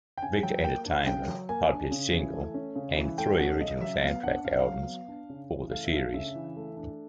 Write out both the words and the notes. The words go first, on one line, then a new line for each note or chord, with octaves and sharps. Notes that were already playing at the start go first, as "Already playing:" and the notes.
Victor Entertainment published a single and three original soundtrack albums for the series.
G5
C#3 G#5
F#3 G5
A#3 G5
D4
C#3 G5
F#3
A#3 G#5
D4
C#3
E3
A3
C#4
C#3
E3
A3 G5
C#4 F#5
C#3 D#5
F#3 E5
B3 F5
D4 F#5
C#3 F5
F#5
F5
F#3
B3
D4
C#3
E3
A3 F5
E5
D4 F5
C#3 E5
E3
A3
D4